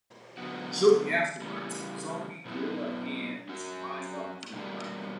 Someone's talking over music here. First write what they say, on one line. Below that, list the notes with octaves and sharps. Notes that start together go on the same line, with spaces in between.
Shortly afterwards, zombie gorilla hands rise up from the ground.
D3 F#3 B3 F#4
C#3 E3 G3 C#4
B2 F#3 B3 E4
F#3 C#4 F#4
B2 G3 A#3 D4 F#4